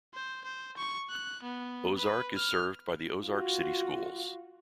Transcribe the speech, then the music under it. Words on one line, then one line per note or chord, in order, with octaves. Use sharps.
Ozark is served by the Ozark City Schools.
C5
C5
C#6
F#6
B3
B4
F6
F4 F#4